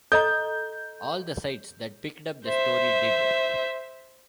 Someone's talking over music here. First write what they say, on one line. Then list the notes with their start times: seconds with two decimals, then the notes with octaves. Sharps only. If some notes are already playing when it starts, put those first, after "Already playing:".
All the sites that picked up the story did.
0.12 A4 D#5 A#5 G6
2.45 C5 E5